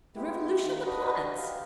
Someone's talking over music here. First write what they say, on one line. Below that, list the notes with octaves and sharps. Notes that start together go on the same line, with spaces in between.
The revolution of the planets.'
G#3 B3 E4 G4
D#3 A#3
D4 F#4 B4 D#5
G4 F5